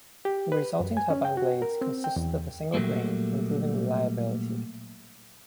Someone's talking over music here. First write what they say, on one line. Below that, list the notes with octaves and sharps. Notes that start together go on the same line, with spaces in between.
The resulting turbine blades consisted of a single grain, improving reliability.
G4
B4
F#2
G#5
C#4
G5
F#4
A#4
C4
G5
E2
A#2 F#3 G3 A3 A#3